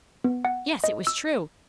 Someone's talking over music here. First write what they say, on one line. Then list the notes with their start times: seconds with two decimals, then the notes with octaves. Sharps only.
Yes; it was true.
0.24 B3
0.45 F#5
0.84 D#5
1.07 E6